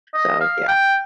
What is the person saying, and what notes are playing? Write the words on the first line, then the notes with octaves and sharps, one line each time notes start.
so, yeah.
D#5
F5
G5